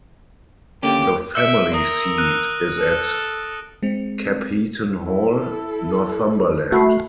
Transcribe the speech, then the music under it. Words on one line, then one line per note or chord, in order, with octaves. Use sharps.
The family seat is at Capheaton Hall, Northumberland.
D3 A#3 C#4 G4
E5 E6 C#7 D7
A#4 D#6 A#6
F6 F#6 D#7
A4
G#3 C4
E4 A4
A3 F#4 B5 C7